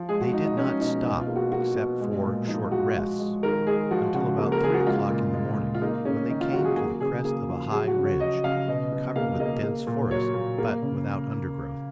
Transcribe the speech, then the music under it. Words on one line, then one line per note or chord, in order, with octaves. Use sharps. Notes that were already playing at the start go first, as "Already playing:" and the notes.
They did not stop, except for short rests, until about three o'clock in the morning, when they came to the crest of a high ridge, covered with dense forest, but without undergrowth.
Already playing: F3
G#3 G#4
F#4
G#3 D#4
D#4
G#3 C#4
B2 D#4
B2 D#4
F4
A#3
F#4
A#3 F#4
B2
G#3
A#2
F3 D#4
F3 F#4
G#3 F#4
G#3
D#3 A#4
G#3 G#4
F3 F#4
C#3 F#4
A#3
A#4
C#3 G#4
F#4
G#3 F4
A#2
G#3
A#2
F4
A#3 D#4
A#3 C#4
D#3 D#4
F4
F#3 F#4
G#4
A#3 G#4
C#3 G#4
A#3 G#4
F3
F#3 G#4
F#4
C#3
C#5
F#3 D#5
C#3 F5
B2 D#5
B2
A#3 F5
A#3 D#5
A#3
A#2
F#3 C#5
A#2
A#3
C#3